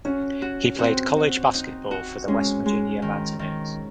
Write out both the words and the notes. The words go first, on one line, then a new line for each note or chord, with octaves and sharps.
He played college basketball for the West Virginia Mountaineers.
C#4 F#4
F#4
C4 F#4
F#4
D#4
F#4
G#3 C#4
G#3
D#3
D#3